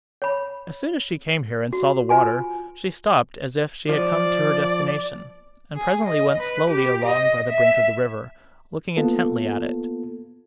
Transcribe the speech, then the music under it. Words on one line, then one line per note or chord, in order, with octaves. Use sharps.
As soon as she came here, and saw the water, she stopped as if she had come to her destination; and presently went slowly along by the brink of the river, looking intently at it.
C#5 B5
F#4
F4 B4 G#5 C6
F3 D5
G#4
D#5
B4
G4
D#5
E5
A#3 B3 F4 A4